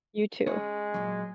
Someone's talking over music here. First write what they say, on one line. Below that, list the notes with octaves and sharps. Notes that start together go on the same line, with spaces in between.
you too,
G#3 C#4 G#4 C#5
A#2 F#3